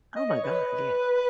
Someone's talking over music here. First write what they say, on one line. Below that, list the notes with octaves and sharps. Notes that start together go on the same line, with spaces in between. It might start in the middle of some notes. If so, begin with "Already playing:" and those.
Oh my god, yes.
D#5
C#5
B4